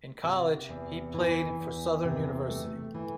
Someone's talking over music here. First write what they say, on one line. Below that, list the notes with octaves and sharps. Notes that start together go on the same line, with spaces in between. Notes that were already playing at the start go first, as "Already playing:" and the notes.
In college, he played for Southern University.
C3
E2
E3
E2
C3
A3
E3